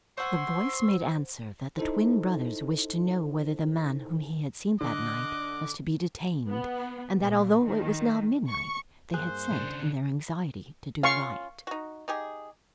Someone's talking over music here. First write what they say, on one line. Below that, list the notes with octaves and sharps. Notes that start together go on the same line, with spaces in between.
The voice made answer that the twin brothers wished to know whether the man whom he had seen that night was to be detained; and that although it was now midnight they had sent, in their anxiety to do right.
C5 F#5 G#5 C6 C#6 E6
D#4 E4 A4 C5
D3 D#5 D6 F#6
B3
A#2
D#3
C#6
G2 A#3 G#4 C5 F#6
C#3 D4
C#4 F4 F5 C#6
D#4 F#4
D#4 G4 G#4